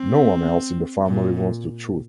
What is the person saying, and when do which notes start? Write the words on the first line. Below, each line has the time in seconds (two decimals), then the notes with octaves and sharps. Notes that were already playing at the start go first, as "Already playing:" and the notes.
No one else in the family wants the truth.
Already playing: C4
1.06 A#2